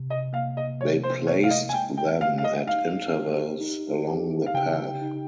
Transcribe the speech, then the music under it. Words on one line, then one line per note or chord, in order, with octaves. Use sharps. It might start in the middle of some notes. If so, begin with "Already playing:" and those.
They placed them at intervals along the path.
Already playing: C3
D#5
A#3 F5
D#5
F3 C#5
C5
A#3 C#5
F5
D#5
G#5
G#3 G5
G5
G4 F5
F5
D#5
D#4 F5
G4
D#4
G4
F5
C#3 G5
D#4